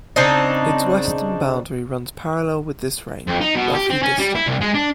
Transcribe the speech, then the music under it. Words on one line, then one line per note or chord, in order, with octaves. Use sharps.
Its western boundary runs parallel with this range, roughly distant.
C#3 C4 D4 D#4
F2
D#4
B2
G4
C4
C#4
G3
E4
C2
G#3
D4